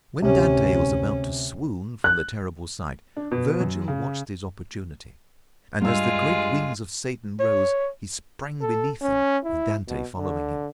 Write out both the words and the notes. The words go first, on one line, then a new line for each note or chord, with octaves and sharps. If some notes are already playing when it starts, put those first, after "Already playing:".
When Dante was about to swoon from the terrible sight, Vergil watched his opportunity, and as the great wings of Satan rose he sprang beneath them, with Dante following him.
D2 C3 C#4
F#6
D4
B2
F#2
C#3
G2 G#3 F4 E6
C#5
A4
C#4
E4
B2
D3